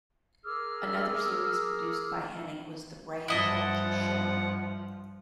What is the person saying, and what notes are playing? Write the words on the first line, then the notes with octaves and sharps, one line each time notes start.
Another series produced by Henning was "The Ray Bolger Show".
G#4 A#4 D6 E6 F6
G2 F3 E4 D#5 F#5 A5